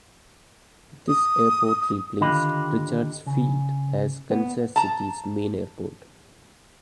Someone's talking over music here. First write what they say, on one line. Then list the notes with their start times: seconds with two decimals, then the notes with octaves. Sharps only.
This airport replaced Richards Field as Kansas City's main airport.
1.08 D#6
2.21 D3 D#3 F4 G4 D#5 B5
3.26 C#3
4.30 B3
4.76 A5 A#5